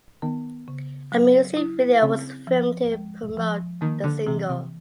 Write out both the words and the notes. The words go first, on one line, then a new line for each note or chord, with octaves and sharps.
A music video was filmed to promote the single.
D#3 B3
C#3
F#3
E4
C#3 C4
F3
G#3
F3
D#3 A#3
D3
C3 E3
C3